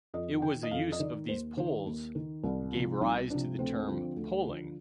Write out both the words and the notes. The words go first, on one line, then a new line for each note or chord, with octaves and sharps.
It was the use of these poles gave rise to the term "poling".
F2 D#5
D#3 G5
D#5
F2 F5
D#5
D#3 D5
D#2 C5
D#3 C5
D#2
D#3
C2
C3 F3
C2 D#4
C3 F3 D4
D2 C4
D3 F3
D2
D3 F3